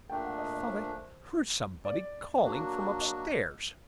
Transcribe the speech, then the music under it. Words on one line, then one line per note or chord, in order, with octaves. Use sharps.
I thought I heard somebody calling from upstairs.'
A#2 A3 D4 G5
F#5
D#5
D#5
C5
D5
F#3 A#3 D4 F#4
D#5